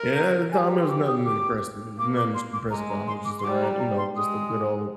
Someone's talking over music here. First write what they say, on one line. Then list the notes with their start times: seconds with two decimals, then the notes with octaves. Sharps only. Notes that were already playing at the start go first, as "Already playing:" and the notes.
yeah, at the time it was nothing impressive, it was nothing impressive about it, it was just a ran you know, just a good old
Already playing: A#4
0.16 A#5
0.52 G4 G#5
0.69 A#5
0.79 C6
0.89 D6
1.07 D#6
1.26 D6
1.98 A#3 D6
2.16 D6
2.34 C6
2.53 D6
2.70 G#3 A#5
2.89 A#5
3.07 C6
3.25 D6
3.39 C6
3.44 G3 D6
3.62 A#5
3.79 A#5
3.98 C6
4.17 G#3 D#6